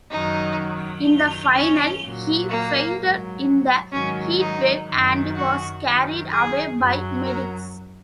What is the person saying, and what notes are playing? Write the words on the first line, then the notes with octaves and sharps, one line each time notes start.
In the final, he fainted in the heatwave and was carried away by medics.
F#2 D#3 F#3 D#4
F#2 D#3 F#3
C#4
A#2 F#3
A#3
G#2 F#3
G#2 D#3 F#3 C#4
D#4
F#2 D#3 F#3
F#4
F#2 D#3 F#3
G#4
F#2 F#3
A#4